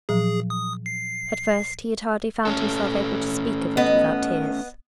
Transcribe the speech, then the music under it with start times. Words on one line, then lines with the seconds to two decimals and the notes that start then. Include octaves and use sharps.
At first he had hardly found himself able to speak of it without tears.
0.09 A#2 F3 F#3 G#4
0.50 D#6
0.86 C7
2.45 A3 C#4 A4
3.77 B3 D#5